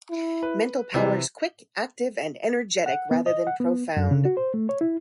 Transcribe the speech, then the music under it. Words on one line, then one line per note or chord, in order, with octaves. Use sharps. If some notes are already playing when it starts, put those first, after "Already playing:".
Mental powers quick, active and energetic, rather than profound.
E4
B4
C3 E3 G3
F#5
B3
D#5
F#5
B3
F#2
C#3
F#4
C5
A3
C#5
E4